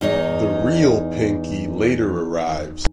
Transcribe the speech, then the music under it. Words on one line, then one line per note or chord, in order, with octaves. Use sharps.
The real Pinky later arrives.
E2 D#4 C#5 D#5